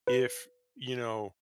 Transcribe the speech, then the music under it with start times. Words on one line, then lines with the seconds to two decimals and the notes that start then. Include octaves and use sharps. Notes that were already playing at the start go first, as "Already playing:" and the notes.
if, you know,
0.07 B4